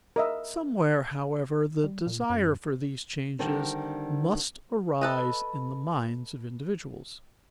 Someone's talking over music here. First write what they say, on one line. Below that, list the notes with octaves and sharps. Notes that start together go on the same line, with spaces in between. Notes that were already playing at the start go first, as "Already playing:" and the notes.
Somewhere, however, the desire for these changes must arise in the minds of individuals.
A#4 D#5 E5
G3
A#2
F#2
D3 D#3 G3 C4
A4 B4 D#5